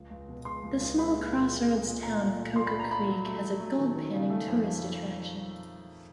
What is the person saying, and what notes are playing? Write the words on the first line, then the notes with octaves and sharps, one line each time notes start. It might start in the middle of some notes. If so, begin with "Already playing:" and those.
The small crossroads town of Coker Creek has a gold-panning tourist attraction.
Already playing: C#2
C#2
B2
G#3 C6
C#2
C#2
G#3 B5
A#2
A#2
G#3
A#2
A#2
A3 A#5
A#2
A3
A#2 C6
B5
A3
A#5
A#2 B5
F#3
A3
F#3
A3
D#3
D#3
C#3
A3
F2